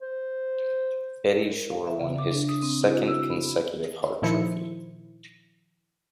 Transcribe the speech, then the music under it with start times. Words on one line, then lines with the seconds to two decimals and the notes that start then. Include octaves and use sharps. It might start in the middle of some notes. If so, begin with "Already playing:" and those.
Eddie Shore won his second consecutive Hart trophy.
0.02 C5
1.50 A#4
1.71 F5
1.87 E5
2.01 C#3
2.18 D6
2.31 D4
2.49 D#6
2.62 C4
2.83 E4
2.95 F#4
3.08 E6
3.30 B5
4.22 A#2 D#3 F3 E4 C5 C#7